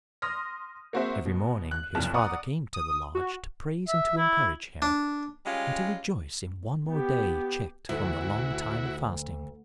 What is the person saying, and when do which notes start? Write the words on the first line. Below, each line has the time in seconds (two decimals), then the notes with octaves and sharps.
Every morning his father came to the lodge to praise and to encourage him, and to rejoice in one more day checked from the long time of fasting.
0.22 C6 D#6 F6 A#6
0.93 A#3 C4 F#4 G#4 C5 E5
1.26 B2
1.71 F#6
1.95 F#1 C2 F2 A5 F6 F#6
2.14 D5 F#5 A#5 D6 D#6
2.74 D#6
3.15 F#4
3.88 E5
4.17 E4
4.82 D4
5.46 G3 G#3 C#4 F4
6.89 B3 G4
7.89 D2 E4 F#4